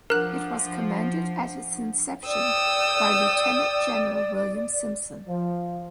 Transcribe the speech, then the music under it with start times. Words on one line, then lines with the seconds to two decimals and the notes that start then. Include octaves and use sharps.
It was commanded at its inception by Lieutenant General William Simpson.
0.10 F3 D4 A#4 F#5 F#6
2.27 D5 G5 D#6 E6
5.28 F3